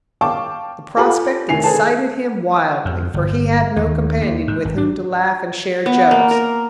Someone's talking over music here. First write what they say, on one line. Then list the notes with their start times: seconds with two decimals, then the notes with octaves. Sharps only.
The prospect excited him wildly, for he had no companion with whom to laugh and share jokes.
0.21 F5 G5 A5 C#6 D6
0.97 F4 G4 A4 B4 G#5 B5
1.49 F1 D#3 E4 G#5 C7 F7
1.64 G#4 A4 B4 G#5 A5
2.85 F2
3.14 G1
3.76 D#2
4.21 D#2
4.47 G#2
4.65 G#1
4.78 D4
5.86 B3
6.11 A#3
6.31 A#4